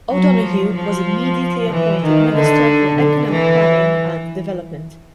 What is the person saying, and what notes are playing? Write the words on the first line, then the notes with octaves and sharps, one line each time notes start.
O'Donoghue was immediately appointed Minister for Economic Planning and Development.
F#3
F3
F3
E3
D#3
D3
D3
E3